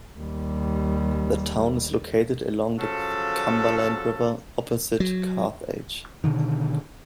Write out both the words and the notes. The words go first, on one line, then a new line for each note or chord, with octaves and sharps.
The town is located along the Cumberland River opposite Carthage.
D#2 G3
C#3 F3 F#3 A4
F#3
B2 D3 D#3